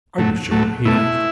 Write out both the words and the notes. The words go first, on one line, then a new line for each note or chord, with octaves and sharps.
"Are you sure?" he asked.
A2 F#3 A3
A2 F#3 A3
B2 A3 E4